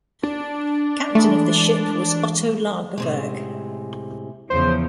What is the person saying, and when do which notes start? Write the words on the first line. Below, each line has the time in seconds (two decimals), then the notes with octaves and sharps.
Captain of the ship was Otto Lagerberg.
0.23 D4
1.15 E3 G#3 A3
2.98 A2 C3 G#3
4.50 E2 C#3 F3 C5